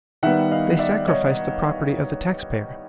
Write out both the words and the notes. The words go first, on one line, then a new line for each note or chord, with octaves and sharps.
They sacrificed the property of the tax-payer.
D#3 G3 B3 E5 F#5
D#5 F5
D5 E5
C#5 D#5